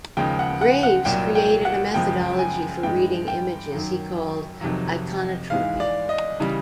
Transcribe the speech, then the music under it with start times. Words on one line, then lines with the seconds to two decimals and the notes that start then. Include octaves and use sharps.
Graves created a methodology for reading images he called "iconotropy".
0.17 D#2 C#3 F3 G#3 G5
0.39 F#5
0.61 F#5
0.83 F#5
1.05 C2 A#2 F#3 G5
1.35 G5
1.65 F#5
1.94 F#2 C#3 F3 G#3 G5
2.39 G#5
2.83 G2 E3 G#3 G5
3.28 G5
3.72 F#2 D#3 F#3
4.61 F2 C3 D#3 F#3
5.50 G#2 E3 G#3 F5
5.80 D5
6.09 D#5
6.40 C#3 E3 G3